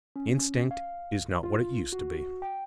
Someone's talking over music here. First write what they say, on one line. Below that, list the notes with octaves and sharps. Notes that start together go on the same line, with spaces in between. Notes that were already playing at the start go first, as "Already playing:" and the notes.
Instinct is not what it used to be.
C#4
F5
F4
F#4
G5